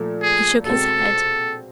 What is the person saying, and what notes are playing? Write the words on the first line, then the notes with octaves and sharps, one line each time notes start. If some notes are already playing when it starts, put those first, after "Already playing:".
He shook his head.
Already playing: A#2 F3 A3
G#4
B2 G#3 C4 A4